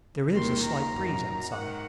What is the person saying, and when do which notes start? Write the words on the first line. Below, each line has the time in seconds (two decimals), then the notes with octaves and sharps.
There is a slight breeze outside.
0.33 D#2 D#3 C6
0.63 A#5
0.92 F#2 D#3
1.51 G#2 D#3 F#5